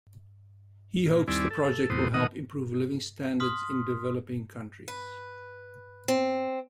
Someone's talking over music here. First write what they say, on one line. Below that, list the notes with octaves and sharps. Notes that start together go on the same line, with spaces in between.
He hopes the project will help improve living standards in developing countries.
A#2
D#2 G3 C4 E4 D5 G#5
A4
E2 A2 C3 B3 C5 D#6
A#2 D#3 D#5 F#5 D#6
C6 D#6 F6 B6
B4
C4